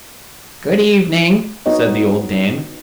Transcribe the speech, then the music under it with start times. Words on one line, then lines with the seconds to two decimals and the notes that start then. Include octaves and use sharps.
'Good evening!' said the old dame.
1.66 B3 D#4 F#4 C#5 D#5